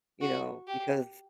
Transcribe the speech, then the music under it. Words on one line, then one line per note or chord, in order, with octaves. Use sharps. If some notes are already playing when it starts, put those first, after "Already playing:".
you know, because
F#4
G4